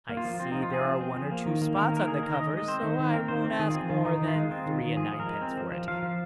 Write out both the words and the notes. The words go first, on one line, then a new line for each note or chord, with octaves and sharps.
I see there are one or two spots on the cover, so I won't ask more than three-and-ninepence for it.
A#3
F4
F3
C4 F4
F3 D#4
F4
C4 G#4
F3
C4
F3
A#3
D#3
A#3
D#3 A#4
A#3
A#4
D#3 G#4
D#3 A#4
D#3 D#5
G#3 D#5
C4 C5
D#3
D#3
C4 A#4
D#3 C5
C4
D#3 G#4
F4
C4 G#4
D#3 F4
D#3 D#4
D#3
F4
G#3
C4
D#3
D#3
F3 G#4
F3
A#4
G#3
C4
F3
F3
F3 F5
F3